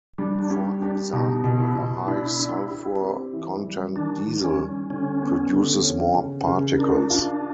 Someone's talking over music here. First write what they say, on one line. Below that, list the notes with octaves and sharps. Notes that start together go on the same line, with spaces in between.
For example, a high sulfur content diesel produces more particles.
G3 D4
D4
C#4 G4
D4 G4
B2 D#4
B2
E4
B2
D4 E4
D4
G4
C4
E3
G3
D#3 D4
D#3
C#4
G3
D3 C#4
B3
D3
C#4
C#3
C#3
D4 A#4
D#4
D4
F4